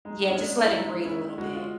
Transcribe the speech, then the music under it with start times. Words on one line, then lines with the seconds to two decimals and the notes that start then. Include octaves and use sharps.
Yeah, just let it breathe a little bit.
0.05 G#3 D#4
0.30 C#4
0.38 G#3 D4
0.64 E4
0.71 G#3 D#4
1.05 C#4 E4
1.38 G#3 F#4
1.55 F4